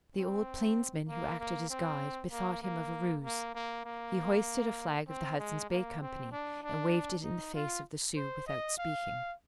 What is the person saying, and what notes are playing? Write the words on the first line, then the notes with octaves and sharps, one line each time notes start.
The old plainsman who acted as guide bethought him of a ruse: he hoisted a flag of the Hudson's Bay Company and waved it in the face of the Sioux without speaking.
C4
A#3
A#3
C4
A#3
A#3
A#3
A#3
A#3
C4
G#3
A#3
C4
D4
D4
D#4
F4
C5
D#5
F5